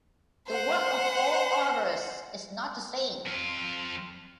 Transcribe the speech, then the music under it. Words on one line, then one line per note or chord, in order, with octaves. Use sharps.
The work of all arborists is not the same.
C5 F#5
F2 F4